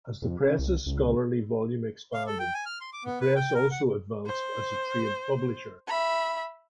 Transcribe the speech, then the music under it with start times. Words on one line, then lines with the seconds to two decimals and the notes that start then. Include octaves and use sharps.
As the Press's scholarly volume expanded, the Press also advanced as a trade publisher.
0.22 F2
0.41 C#3
0.59 C2
0.86 C#2
2.14 F5
2.27 A4
2.39 G5
2.54 G#5
2.66 F6
2.81 C6
2.93 D6
3.05 B3
3.21 B4
3.36 G5
3.54 A#4
3.71 F#5
4.26 C5
5.88 E5 B5